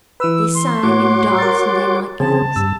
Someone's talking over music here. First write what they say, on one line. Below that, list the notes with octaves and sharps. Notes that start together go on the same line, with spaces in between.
They sang and danced in their night-gowns.
E3 B4 E6
C6
A2 F#4 C#5 D6
A#4 A6
C#3 C4 G#4 A5
G2 E6